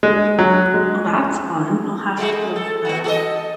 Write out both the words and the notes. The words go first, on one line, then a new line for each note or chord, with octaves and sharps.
Oh, that's fun, I'll have to look that up.
G#3
F#3
G#3
G#3 A3 F#4
G#3
A4
B3 F#4
F#4 A4 D#5